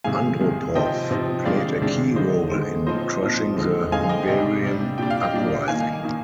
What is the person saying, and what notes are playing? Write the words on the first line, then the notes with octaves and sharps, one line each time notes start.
Andropov played a key role in crushing the Hungarian uprising.
C3 D#3 G#3 F5 G#5
C3 D#3 G#3
C3 F3 C4 D#4 D#5 G5
C3 F3 C4 D#4
C3 D#3 G#3 D4 D5 F5
C3 D#3 G#3 D4
D3 G#3 C4 D#4 C5 D#5
D3 G#3 C4 D#4
A#2 F3 C4 D#4 C5 D#5
A#2 F3 C4 D#4
D3 G#3 C4 D#4
D3 G#3 C4 D#4 F5 G#5
D#5 G5
C3 G3 D4 D#5 G5
C3 G3 D4
A#2 G3 D4 G5
F5
D#5 G5
A#2 G3 D4
D#3 A#3 D#4 F5 G#5
D#3 A#3 D#4